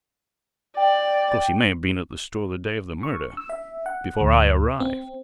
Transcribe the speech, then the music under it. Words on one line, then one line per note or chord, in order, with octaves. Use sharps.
Of course, he may have been at the store the day of the murder--before I arrived.
D5 G5
C#6
E6
E5
F#5
D2
C4